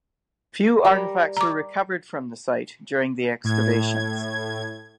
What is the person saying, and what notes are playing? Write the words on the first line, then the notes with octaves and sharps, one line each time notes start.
Few artifacts were recovered from the site during the excavations.
G3 A#4 B5
A#5 D6
A2 G#6